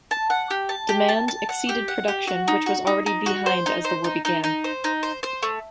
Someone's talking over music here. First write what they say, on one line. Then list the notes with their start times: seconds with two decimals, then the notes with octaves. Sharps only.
Demand exceeded production, which was already behind as the war began.
0.11 A5
0.30 F#5
0.50 G4
0.69 A5
0.89 G4
1.09 A5
1.28 A5
1.49 F#5
1.69 G4
1.88 F#5
2.08 G4
2.27 F#4
2.48 D#4
2.66 F#4
2.87 D#4
3.06 D#4
3.26 F#4
3.46 C5
3.66 D#4
3.84 C5
4.04 D#4
4.25 D#4
4.44 D#4
4.64 C5
4.84 D#4
5.03 C5
5.23 C5
5.42 A3